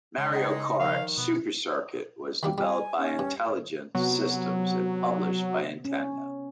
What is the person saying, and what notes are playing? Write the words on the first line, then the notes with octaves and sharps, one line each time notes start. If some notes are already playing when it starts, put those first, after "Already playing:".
"Mario Kart: Super Circuit" was developed by Intelligent Systems and published by Nintendo.
C#3 G#3 C#4
D#4 C#5 F#5 G5
D#3 F3 A#4 F5
B2 B3
D#3 G3 A#3
G3 G#5
C#4
G2
C3 F#3 B3
C#4